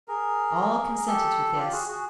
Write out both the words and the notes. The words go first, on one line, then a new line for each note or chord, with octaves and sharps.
All consented to this.
G#4 A#4
A#4
G4 A4
F4 G4
F#4 G#4
F#4 G#4